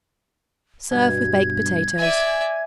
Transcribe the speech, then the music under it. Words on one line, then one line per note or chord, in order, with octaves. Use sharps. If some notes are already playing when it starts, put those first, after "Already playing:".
Serve with baked potatoes.
G2 B2 G#6
D5 E5 G#5